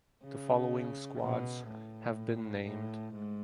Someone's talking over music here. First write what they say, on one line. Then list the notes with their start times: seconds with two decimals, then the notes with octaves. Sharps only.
The following squads have been named.
0.24 C#3
1.20 B2
1.69 A2
2.65 A2
3.14 G#2